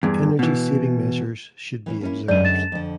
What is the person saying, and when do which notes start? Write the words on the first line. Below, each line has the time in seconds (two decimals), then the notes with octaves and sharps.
Energy saving measures should be observed.
0.03 E2 G2
0.39 B2 E3
1.86 E3 B3 C#4
2.01 A#3 C#4 E4
2.28 F#2 D3 G#3 D5 D#7
2.45 A6 E7
2.72 F2 D3